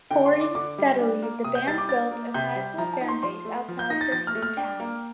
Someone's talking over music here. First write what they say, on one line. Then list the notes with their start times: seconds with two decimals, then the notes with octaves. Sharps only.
Touring steadily, the band built a sizable fan base outside their hometown.
0.11 D3 G5
0.26 C6
0.33 D4
0.41 D6
0.55 D3 D6
0.78 G3
1.00 D4
1.22 A#3
1.44 C3 D#6
1.55 G6
1.67 G3 A6
1.78 D6
1.89 D4 A6
2.11 A#3
2.34 C3 G6
2.56 G3
2.78 F3 A#5
2.93 A5
3.01 D#4
3.08 C6
3.23 F3 C6
3.45 A3
3.68 F3
3.79 G6
3.90 D#4 A#6
4.01 A6
4.12 F3 A6
4.27 F6
4.35 A3
4.43 F6
4.57 D4 G5
4.80 A#3